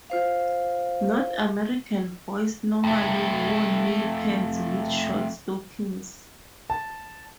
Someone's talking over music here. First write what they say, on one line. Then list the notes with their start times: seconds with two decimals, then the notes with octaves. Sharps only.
North American boys normally wore knee pants with short stockings.
0.10 F4 C5 F5
2.84 F2 A3
6.70 A5